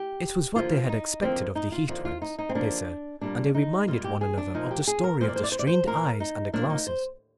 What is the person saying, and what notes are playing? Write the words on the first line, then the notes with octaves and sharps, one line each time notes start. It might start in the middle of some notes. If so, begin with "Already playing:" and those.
It was what they had expected of the Heath twins, they said, and they reminded one another of the story of the strained eyes and the glasses.
Already playing: G4
D#2 D3 F3 A#3 F4
D#4
D#2 D3 F3 A#3 C4
D#4
F4
D#2 D3 F3 A#3 F4
F4
D#4
D#4
C4
D#2 D3 F3 A#3 D4
A#2 G3 A#3 D4
D#4
A#2 G3 A#3 F4
G4
G#4
D4
A#2 F3 A#3 D#4
G4
G#4
A#4
A#2 F3 A#3 C5
D5
C5
D5
C5
D5
C5
A#2 F3 A#3 A#4
D#4
A#2 F3 A#3 D4
D#4
C5